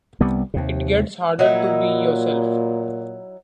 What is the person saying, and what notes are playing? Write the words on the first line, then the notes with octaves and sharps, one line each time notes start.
It gets harder to be yourself.
C2 G3 B3
D#2 C3
A#2 F#3 D#4 E4